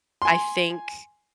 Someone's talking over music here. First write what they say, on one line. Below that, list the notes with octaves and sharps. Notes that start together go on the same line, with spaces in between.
I think
G#5 C6